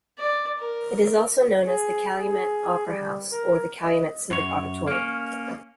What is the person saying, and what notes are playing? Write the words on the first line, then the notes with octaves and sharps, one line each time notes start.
It is also known as the Calumet Opera House or the Calumet Civic Auditorium.
D5
A#4
G#4
G#4
G3
A#4
D#5
F#2 C#5
A#3 C#4